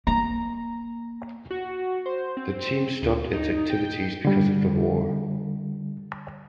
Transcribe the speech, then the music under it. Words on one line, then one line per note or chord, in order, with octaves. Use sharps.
The team stopped its activities because of the war.
A#3 A#5
F#4
C5
C4
D2
D#4
G5
D3 G3